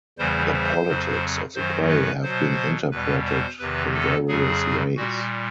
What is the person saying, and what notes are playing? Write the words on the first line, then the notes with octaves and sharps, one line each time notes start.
The politics of the play have been interpreted in various ways.
E2 C#3 E3 G3 C5
C5
F2 C#3 F#3
F#2 D#3 F#3 C5
B4
B2 F#3 C5
E2 B2 G3 B4
C5
E2 C3 D#3 B4
A4
F2 C#3 F#3 G#4
A#2 G3 F#4